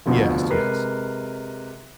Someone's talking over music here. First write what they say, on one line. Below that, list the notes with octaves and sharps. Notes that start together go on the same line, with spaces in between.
Yes, yes.
F1 D2 B2 D3 F3
C3 G#3 A#4 B4 C7